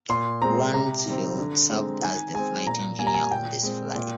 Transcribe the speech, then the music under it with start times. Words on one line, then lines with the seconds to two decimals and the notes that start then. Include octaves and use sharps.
Grunsfeld served as the flight engineer on this flight.
0.09 A#2 C6
0.42 G#3 C4 A#5
0.74 C3 A#5
1.06 D#3 G3 C4
1.38 D3
1.70 G#3 C4
2.02 D#3 G#5
2.34 G#3 C4 G#5
2.67 A#2 A#5
2.99 A#3 G#5
3.02 G3 A#5
3.14 G#5
3.31 A#2 G5
3.63 G#3 C4
3.95 A#2